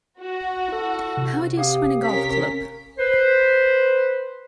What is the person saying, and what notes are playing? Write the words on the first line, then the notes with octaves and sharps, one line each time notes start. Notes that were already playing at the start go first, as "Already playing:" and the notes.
How do you swing a golf club?
F#4
E4 A4
C3
G4 F5 D#6
C#4 A#4 B6
B4 C5